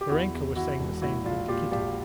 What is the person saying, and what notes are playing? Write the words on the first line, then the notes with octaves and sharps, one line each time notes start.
Varenka was saying the same thing to Kitty.
G4
E2 E4 F#4
E2
E3 E4 F#4
E1
A#2 E4 F#4
A#1 F4
A#2 F4 G4
A#1 F4 G4